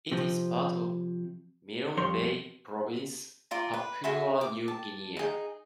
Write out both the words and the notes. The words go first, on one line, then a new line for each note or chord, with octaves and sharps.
It is part of Milne Bay Province, Papua New Guinea.
C3 F3
F2 G3 C#5 C6
F4 D5 A#5
B4
F#4 G#4 E5 C6
D6
A5
D#4 G#4